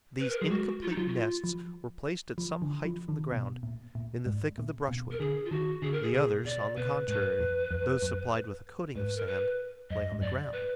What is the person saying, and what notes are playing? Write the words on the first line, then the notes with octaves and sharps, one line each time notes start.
These incomplete nests were placed at some height from the ground, in the thick of the brushwood; the others, on the contrary, those supplied with a coating of sand, lay on the ground.
B4
A#4
F#3 G#4
G#3 F#4
F4
D#4
F#3 F4
F#4
F4
F3
F3
D3
F3
D#3
B2
A#2
A#2
G#2
A#2
B2
A#4
D3 G#4
F4
D#3 F#4
D3 G#4
A#4
G#4
B2 G#4
B2 D5
B2 B4
G#2 B4
F2
F2
F#2
G#2 B4
A#4
B4
F#2 D#5
G#2
F#2 D5
B4